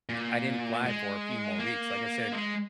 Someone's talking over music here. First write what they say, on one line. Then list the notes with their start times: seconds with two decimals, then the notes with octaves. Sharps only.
I didn't fly for a few more weeks. Like I said,
0.09 A#2
0.85 G#3
1.59 A#3
2.32 G#3